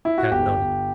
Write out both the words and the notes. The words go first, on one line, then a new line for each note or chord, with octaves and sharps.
Tad nodded.
E4
F#4
G1 G4
G1